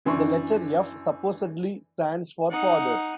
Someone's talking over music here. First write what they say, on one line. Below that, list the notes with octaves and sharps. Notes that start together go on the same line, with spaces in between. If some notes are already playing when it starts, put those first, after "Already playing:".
The letter "F" supposedly stands for "Father".
F#2 E3 D4 C6 C#6
D#4 F#5